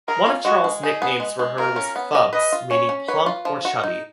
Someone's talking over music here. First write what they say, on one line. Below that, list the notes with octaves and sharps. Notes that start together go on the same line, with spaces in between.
One of Charles nicknames for her was 'Fubbs', meaning plump or chubby.
G#4 A#4
F4
G#3 F#4
G#3
D#4 G#4
B3
G#3
G#3
F4 A#4
C#4
B3
D#5
B4 D#5
F4
C#4 C#5
C#4
B4 C#5
F4
F3
F#4
D#4